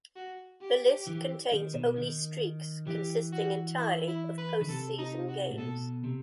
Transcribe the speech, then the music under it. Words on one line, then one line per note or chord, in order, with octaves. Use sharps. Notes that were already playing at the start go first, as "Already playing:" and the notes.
This list contains only streaks consisting entirely of postseason games.
F#4
G4
E3
D#3
B2
D#3
E3 G4
F#4
E4
E4
B4
D#3
C3 A4
D#4
F#4
A2
B2 A4
C3